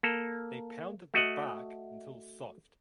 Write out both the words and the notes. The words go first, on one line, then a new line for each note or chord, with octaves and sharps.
They pounded the bark until soft.
A#3 A4
A3 F#4 D#5 F#5